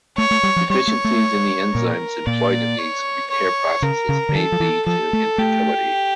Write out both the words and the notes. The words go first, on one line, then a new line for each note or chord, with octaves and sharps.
Deficiencies in the enzymes employed in these repair processes may lead to infertility.
A3 C#5
A3
G3
F3
G3 C#5
A3
A3
A#2 A#4
A#2 D5
C#5
C#5
C#3 A#4
C#3
D3
E3 A4
F3
E3
F3 A4
A3
A3 G4